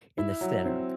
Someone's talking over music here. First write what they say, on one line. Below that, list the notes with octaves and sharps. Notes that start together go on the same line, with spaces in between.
in the center,
E4
F#3
C4